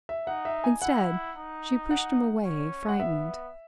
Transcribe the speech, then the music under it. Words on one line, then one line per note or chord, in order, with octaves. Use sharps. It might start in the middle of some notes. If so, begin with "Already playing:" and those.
Instead, she pushed him away--frightened.
E5
D#4 F#5
E5
G#5
E4 F#5
D#4
F#5
C#4
F#5
B3 E5